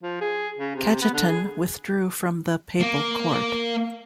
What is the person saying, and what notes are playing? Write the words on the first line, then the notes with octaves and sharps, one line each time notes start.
Cajetan withdrew from the papal court.
F3
G#4
C#3
C3
B3
D3
G#4
A#3